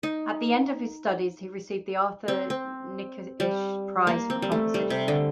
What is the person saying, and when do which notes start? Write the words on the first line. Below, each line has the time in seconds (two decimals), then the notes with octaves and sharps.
At the end of his studies he received the Arthur Nikisch Prize for composition.
0.03 D#4
2.28 C4
2.50 C4
3.40 G3
4.07 A#3
4.30 C4
4.42 G3
4.52 A3
4.74 G3
4.90 C3
5.08 D3